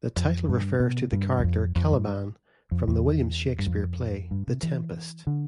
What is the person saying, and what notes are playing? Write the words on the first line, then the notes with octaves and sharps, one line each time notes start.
The title refers to the character Caliban from the William Shakespeare play "The Tempest".
F2
G2
B2
G2
E2
F2
F2
G2
F2
E2
G2
F2
G2
C3
E3
D3